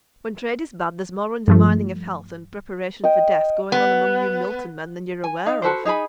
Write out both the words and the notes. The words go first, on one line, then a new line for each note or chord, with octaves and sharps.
When trade is bad, there's more undermining of health, and preparation for death, going on among you Milton men than you're aware of.'
G2 F3 A3
D#5 G5
B3
G#5
D#4 F5
F#4 A4 B4 C5
D#4 G#4 G#5 B5